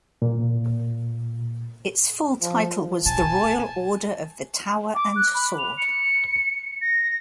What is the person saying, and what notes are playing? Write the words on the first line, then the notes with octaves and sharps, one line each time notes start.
Its full title was "the Royal Order of the Tower and Sword".
A#2
F3
B2 G#5 A5
D6
F#6
B5
F7
C#7
A#6